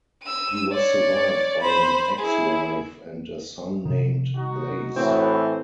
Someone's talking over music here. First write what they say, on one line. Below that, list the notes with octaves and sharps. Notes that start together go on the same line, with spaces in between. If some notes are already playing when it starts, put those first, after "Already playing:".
He was survived by an ex-wife and a son named Blaise.
E6 D#7
C#5 D5
C5 B5
E4 G#4
C3 D#3
D#4 F#4
A2 E3 C4